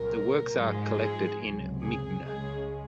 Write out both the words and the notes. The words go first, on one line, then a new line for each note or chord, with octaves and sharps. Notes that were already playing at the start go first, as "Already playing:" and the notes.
The works are collected in Migne.
Already playing: C2 A#2 F#3 A#4
G#2 F3 G#3
G#4
C#2 C3 F#3
G#4
C#2 C#3 G#3 G#4